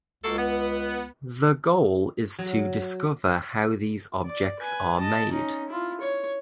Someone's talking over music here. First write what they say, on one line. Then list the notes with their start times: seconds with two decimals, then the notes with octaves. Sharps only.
The goal is to discover how these objects are made.
0.24 C#2 A#3 F#4 A4
0.37 B3
2.39 F#3
4.25 D5
4.60 B4 G#5
4.99 D#5 A5
5.32 C#4 D#4
5.69 E4 F4
6.00 C#5